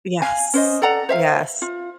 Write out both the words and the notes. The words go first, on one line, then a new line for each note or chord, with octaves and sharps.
Yes. Yes.
F5 G#5
C#4 C5 D#5
A4 D5 F#5 A#5
C5 E5 F5
F4